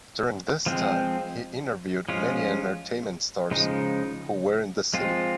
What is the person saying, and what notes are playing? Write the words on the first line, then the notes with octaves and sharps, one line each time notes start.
During this time, he interviewed many entertainment stars who were in the city.
F3 G#3 C4
F3 G#3 C#4 F4
C#3 F3 G#3 D#4
F3 G#3 C4 F4